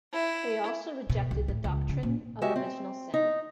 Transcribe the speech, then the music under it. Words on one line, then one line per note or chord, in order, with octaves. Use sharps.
They also rejected the doctrine of original sin.
E4
B2
C2
A2
C#2
C#3
A#2
G#3 F#4 G4 E5
C4
D#4